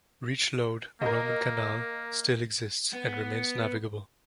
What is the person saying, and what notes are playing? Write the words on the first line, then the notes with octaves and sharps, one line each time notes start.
Reach Lode, a Roman canal, still exists, and remains navigable.
A#3 A#4 D#5
B3